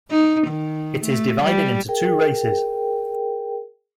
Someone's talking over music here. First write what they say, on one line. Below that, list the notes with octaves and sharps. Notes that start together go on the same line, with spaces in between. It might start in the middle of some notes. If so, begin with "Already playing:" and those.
It is divided into two races.
D#4
D#3
A3
G3
G#4 A#4 G5